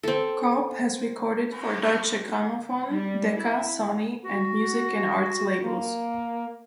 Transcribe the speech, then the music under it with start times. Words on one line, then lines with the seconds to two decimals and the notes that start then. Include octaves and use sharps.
Cobb has recorded for Deutsche Grammophon, Decca, Sony, and Music and Arts labels.
0.03 C4 A4
2.90 G3
3.39 E4
4.23 F#4
5.62 A#3